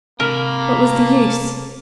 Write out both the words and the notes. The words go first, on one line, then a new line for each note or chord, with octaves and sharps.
What was the use?
C3 A#3 A#4 A5 B5